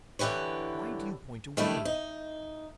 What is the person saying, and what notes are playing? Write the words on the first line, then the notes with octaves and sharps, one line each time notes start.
"Why do you point away?"
D3 E3 G4 B4 C#5
D#3 G3 A3 D4 E4
D#4